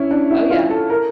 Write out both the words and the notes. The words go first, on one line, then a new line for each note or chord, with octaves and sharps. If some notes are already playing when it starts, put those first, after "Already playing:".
Oh, yeah.
Already playing: C#4 E4
D4
E4
F4
A4
A#4